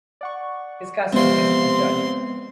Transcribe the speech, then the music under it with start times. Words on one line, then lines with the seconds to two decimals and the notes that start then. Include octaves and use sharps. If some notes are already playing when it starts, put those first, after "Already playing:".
His cousin is a judge.
0.21 D5 F#5 C#6
1.13 C3 F3 G#3 B3 C4 C6